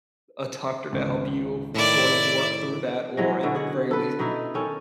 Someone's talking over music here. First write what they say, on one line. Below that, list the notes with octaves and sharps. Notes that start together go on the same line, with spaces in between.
a doctor to help you sort of work through that or at very least
G#1 C#2
A2 D#3 E4 D5
E3 F#3 G#3
B2 D3 C#4
G#4 F#5
A4 B4
B2 D#4 E4
D#3 C#4 A4